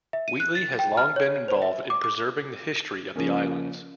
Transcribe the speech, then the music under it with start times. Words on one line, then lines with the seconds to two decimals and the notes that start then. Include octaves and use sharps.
Wheatley has long been involved in preserving the history of the islands.
0.13 E5
0.28 D#7
0.40 F#6
0.55 A6
0.79 G5
0.97 F6
1.16 C#5
1.48 C5
1.62 E5
1.90 D6
2.04 D6
3.16 C#3 F3 A#3 C#4